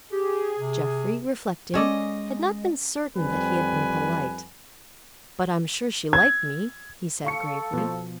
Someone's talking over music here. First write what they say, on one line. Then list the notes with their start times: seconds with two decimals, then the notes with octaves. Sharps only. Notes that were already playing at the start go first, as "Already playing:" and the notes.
Jeffrey, reflecting, had not been certain that he had been polite; "But I am sure she liked me," he said gravely.
0.12 G4 G#4
0.59 C3
1.74 G#3 C#4 A4 D5 D#5
3.17 F2 G3 C4 B4 G#5
6.13 G#6
7.24 A4 F5 C#6 C#7
7.73 B2 F3